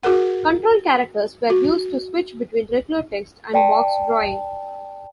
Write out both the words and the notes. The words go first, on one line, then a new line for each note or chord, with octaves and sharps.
Control characters were used to switch between regular text and box drawing.
F#4 G#4 A#4 F#5
F#4
D5 G5 A5